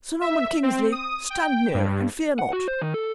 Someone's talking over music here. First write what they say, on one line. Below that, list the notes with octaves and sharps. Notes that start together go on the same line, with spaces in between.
Sir Norman Kingsley, stand near, and fear not.
E5
C4
D#6
G5
G2
F#5
F#4
C5
D#3
A4